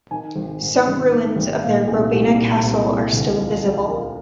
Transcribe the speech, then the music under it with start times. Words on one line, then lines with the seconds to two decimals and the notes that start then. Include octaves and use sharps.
Some ruins of their Grobina castle are still visible.
0.11 D#3 G#5
0.36 G#1
0.61 G#2
0.87 G#1
1.11 G#2
1.36 G#1
1.62 A#2 F5
1.87 C2 G#4
2.12 C2 G4
2.37 A#2
2.63 C2
2.87 C2
3.13 D2
3.38 F3
3.63 F3
3.88 F3 A#4